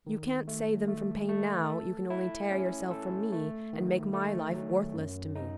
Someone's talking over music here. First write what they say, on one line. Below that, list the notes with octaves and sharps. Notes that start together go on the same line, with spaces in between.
You can't save them from pain now; you can only tear yourself from me, and make my life worthless to me.
D#3
A3
A3
A3
A4
E4
C#4
A4
A3
D#3
A3
F#3
F#2
D#4